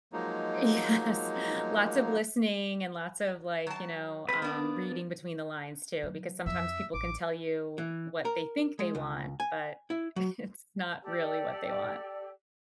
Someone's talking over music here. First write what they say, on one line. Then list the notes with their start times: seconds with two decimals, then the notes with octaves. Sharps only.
Yes. Lots of listening and lots of, like, you know, um, reading between the lines, too. Because sometimes people can tell you what they think they want, but it's not really what they want.
0.13 F3 F#3 G#3 A#3 D#4
3.67 F#3 A5
4.29 G#3 C4 B4
4.42 A#3 B3 D4
6.03 F#3
6.46 F2 F3 E5
6.94 A1 D6
7.78 E3
8.25 A#4
8.79 G#3
8.95 C#2
9.40 G#5
9.90 E4
10.16 F#3
11.02 G4 A4 D5